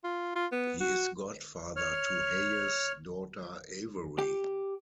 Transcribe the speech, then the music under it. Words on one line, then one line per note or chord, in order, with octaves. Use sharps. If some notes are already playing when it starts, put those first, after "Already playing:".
He is godfather to Hayes' daughter, Avery.
F4
F4
B3
F#4
C#5 F6
G4